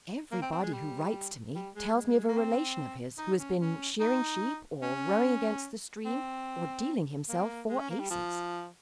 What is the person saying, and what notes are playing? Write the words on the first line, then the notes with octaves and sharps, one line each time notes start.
Everybody who writes to me tells me of a relation of his who has been shearing sheep or rowing against the stream or dealing himself four aces.
A#3
C4
C4
G#3
G3
G3
G#3
G#3
A#3
C4
D#4
C#4
C#4
D#4
C#4
C4
A#3
C4
A#3
G#3
C#4
A#3
G3
F3